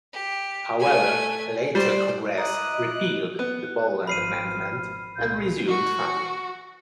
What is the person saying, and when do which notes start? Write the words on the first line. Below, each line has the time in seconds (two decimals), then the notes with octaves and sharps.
However, a later Congress repealed the Boland Amendment and resumed funding.
0.13 G4
0.80 A3 G#5
1.75 G3 C5 D5
2.38 E4 D#5 A#5 D6 D#6 F#6
3.39 B3 F#6
4.07 G#1 F3 B5 F6 C7 D#7
5.16 C2 A#2 G6
5.68 F#4